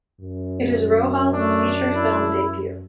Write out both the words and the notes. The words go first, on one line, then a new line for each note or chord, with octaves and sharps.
It is Rohal's feature film debut.
F#2
A3 D4
E4